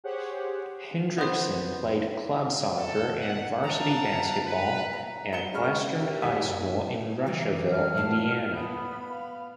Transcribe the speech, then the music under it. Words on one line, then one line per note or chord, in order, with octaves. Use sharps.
Hendrickson played club soccer and varsity basketball at Western High School in Russiaville, Indiana.
G4 G#4 C5 C#5 F#5
B3 C5
A4
F#5
F5 F#5 A5 A#5
B4
A#5
A#5 C#7 E7 G7
G#3 C#4 F#4 B5 C#6 F6
G4 A#4 E5
A#1 G3 F#5 G#5 B6
F#1
E3 F#3 G3
F6
A2 F5 A5
B3 B5
F5